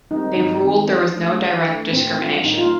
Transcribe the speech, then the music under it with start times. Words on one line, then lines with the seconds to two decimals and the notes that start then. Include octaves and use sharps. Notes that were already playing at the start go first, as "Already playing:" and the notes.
They ruled there was no direct discrimination.
0.11 D#3 G3 C4 D#4
0.36 G2 D#4
0.62 D#3 G3 C4
0.89 F3
1.14 A3 D4
1.40 F3
1.66 A3 D4
1.93 A2 C4
2.18 G3 D4 F4
2.44 A2 D#4
2.58 F4